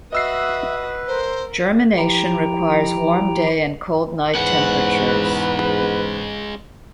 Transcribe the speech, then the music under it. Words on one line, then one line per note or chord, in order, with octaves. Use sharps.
Germination requires warm day and cold night temperatures.
F#4 B4 D#5 E5 D#6 E6 C7
A#4 C5
F3 E4 G4 G5 A#5
E2 G#2 G#3 C#4 B4 F#5